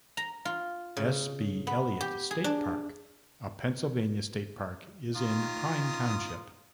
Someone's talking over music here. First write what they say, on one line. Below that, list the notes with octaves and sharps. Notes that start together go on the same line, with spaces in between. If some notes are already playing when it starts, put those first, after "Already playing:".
S. B. Elliott State Park a Pennsylvania state park is in Pine Township.
A#5
F4
C#3
B3
G4
G#4
D4
D#3 F4 D#6